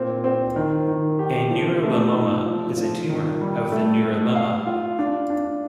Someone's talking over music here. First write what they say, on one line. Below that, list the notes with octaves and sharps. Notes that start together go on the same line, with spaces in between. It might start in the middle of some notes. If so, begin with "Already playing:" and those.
A neurilemoma is a tumor of the neurilemma.
Already playing: A#2 C4
C4
D#3
D#3
G4
F3
A3
D#4
F3
F3
D#3
G3
A3
A3
F5
F4
D4
D4